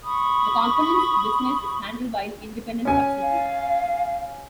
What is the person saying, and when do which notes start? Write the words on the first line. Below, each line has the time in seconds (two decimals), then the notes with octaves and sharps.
The components business is handled by an independent subsidiary.
0.04 B5 C#6 D#6
2.85 C#4 G#5
3.22 F5